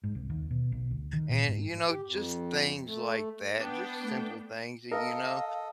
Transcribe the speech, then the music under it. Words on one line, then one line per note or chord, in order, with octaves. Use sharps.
And, you know, just things like that, just simple things that you know?
G#2
C2
D#2
B2
B1
D2
D#3
A#2
G#2
G4
F2
A3
B3 D4 G5
A3
A4 A#4 D#5 F5